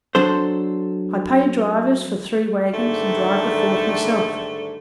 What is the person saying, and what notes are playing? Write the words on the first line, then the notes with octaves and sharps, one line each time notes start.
I pay drivers for three waggons and drive the fourth myself.
F#3 D4 A4 C5
G#2 D3 D#3 G3 A3